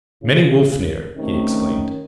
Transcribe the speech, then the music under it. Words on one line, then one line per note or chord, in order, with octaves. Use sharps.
"Many wolf near," he exclaimed.
C#3 E4
C3 D#3 A3 C#4